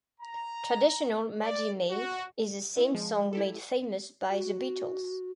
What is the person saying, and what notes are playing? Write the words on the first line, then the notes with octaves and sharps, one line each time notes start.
Traditional Maggie May is the same song made famous by The Beatles.
A#5
D5
F#4
B3 C4 E4
F3 G#3
E4 G4 A4
F#4